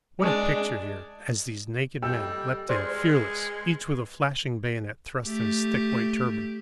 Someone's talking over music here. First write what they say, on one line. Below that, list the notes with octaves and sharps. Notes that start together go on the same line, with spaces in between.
What a picture here as these naked men leaped in, fearless, each with a flashing bayonet thrust in his thick white turban!
G#3 D4
G3 G4 A4 D#5 G5 E6
G#3 B4 C5 D5 F6 F#6
A3 G4